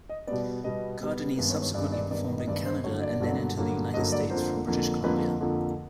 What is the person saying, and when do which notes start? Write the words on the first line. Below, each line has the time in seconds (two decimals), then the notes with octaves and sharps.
Cardini subsequently performed in Canada and then entered the United States from British Columbia.
0.09 D#5
0.27 B2 G3 B3 D5
0.64 B2 G3 B3 D#5
1.01 B2 G3 B3
1.37 G2 D#3 G#3 B3
1.50 C#5
1.62 C#5
1.74 G2 D#3 G#3 B3 D5
1.92 D5
2.10 G2 D#3 G#3 B3 D5
2.38 D#5
2.48 G2 D#3 G#3 B3 D5
2.65 C5
2.84 G2 D3 F#3 A#3 C#5
3.02 D5
3.20 G2 D3 F#3 A#3
3.57 G2 D3 F#3 A#3
3.94 G2 D3 F#3 A#3 D#5
4.12 D5
4.30 F2 D3 F3 A#3 C5
4.67 F2 D3 F3 A#3
5.04 F2 D3 F3 A#3 B4
5.40 F2 D3 F3 A#3